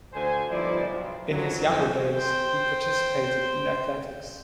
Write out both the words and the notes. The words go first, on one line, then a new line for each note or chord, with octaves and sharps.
In his younger days, he participated in athletics.
D2 D3 C5 G#5
G1 F3 D#4 E4 C5 D5
B1
F2 F#3
F3 G3 C#4 C5 D#5 G#5
C5 G5